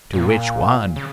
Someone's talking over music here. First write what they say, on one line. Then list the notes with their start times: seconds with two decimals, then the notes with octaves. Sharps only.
"To which one?"
0.13 A#2
0.96 C#3